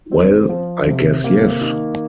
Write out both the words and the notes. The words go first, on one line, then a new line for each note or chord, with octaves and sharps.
Well, I guess yes!
C4
F3
C3
A#3
D#3